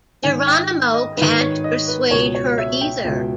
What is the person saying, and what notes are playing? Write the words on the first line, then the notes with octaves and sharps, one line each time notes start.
Geronimo can't persuade her either.
G#2 D#3 G#5
G5
D#5
G#2 D#3 B4
C#5
D#5
B4
C#2 B2 C#5
C#5
E5
G5
C#2 B2 E5